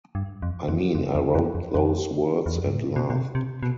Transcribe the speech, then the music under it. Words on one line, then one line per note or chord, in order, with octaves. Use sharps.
I mean, I wrote those words and laughed.
G2
F2
F2
F2
E2
F2
F2
F2
E2
F2
G2
A2
B2
B2
C3
C3
B2